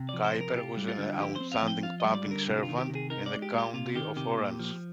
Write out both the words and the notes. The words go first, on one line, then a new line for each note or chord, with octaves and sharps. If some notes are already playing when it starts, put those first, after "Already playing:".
Kuyper was an outstanding public servant in the County of Orange.
Already playing: C3
F3 D5
C5
C3
A#4
F4 G4
G3
F4
D3
F3 G4
C4 C5
F5
F3
G5
F4 F5
G3 D#5
D5
D3
A#4
C3 G4
G4
F4
D#3
G4
C3
G#4
D#4 A#4
D5
G#3
G4
A#2 G4
C3 F4
D#3 G4
C3 G4
A#2
F3